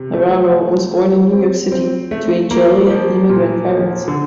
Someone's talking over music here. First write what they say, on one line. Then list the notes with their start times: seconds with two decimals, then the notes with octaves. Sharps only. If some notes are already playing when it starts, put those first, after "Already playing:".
Navarro was born in New York City to Italian immigrant parents.
Already playing: C3
0.13 A3
0.52 A3
0.92 A3
1.32 C4
1.72 C4
2.11 A3
2.51 A#3
2.90 F3
3.29 A#2
3.69 F3
4.08 D3